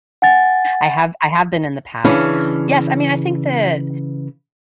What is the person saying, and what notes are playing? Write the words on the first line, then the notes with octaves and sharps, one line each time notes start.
I have I have been in the past. Yes, I mean, think that
F#5 G#5 A6
C#3 E3 C#4 D4